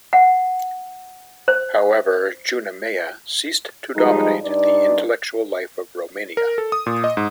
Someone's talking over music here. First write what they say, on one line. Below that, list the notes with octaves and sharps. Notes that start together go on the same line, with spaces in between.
However, "Junimea" ceased to dominate the intellectual life of Romania.
F#5
C5
F3 G3 G#3 D#4
G2 D#4 D5
A#4
A4
D#6
A#2
D#5
G#2